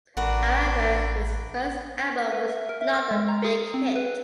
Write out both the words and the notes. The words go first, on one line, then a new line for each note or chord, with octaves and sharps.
However, his first album was not a big hit.
A1 D4 F#4 A#4 B4 F#5
B6
B4
E5
A#4
E5
F6
G#3
A#5
G#4
C4
B4